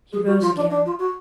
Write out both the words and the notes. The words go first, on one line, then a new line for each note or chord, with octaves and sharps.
He rose again.
G#4
F#4
F4
D4
D4
F4
F#4